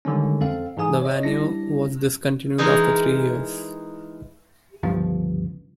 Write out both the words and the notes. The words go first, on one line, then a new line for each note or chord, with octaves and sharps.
The Vaneo was discontinued after three years.
D3 D#3 G3 G#3 C#4
F2 C4 A4 F5
G#2 E3 G#4 G#5 D#6
C#5 D#5
G3 D4 E4 A#6
E3 G#3 D#4 E4 A#4
G1 C#2 G2 F3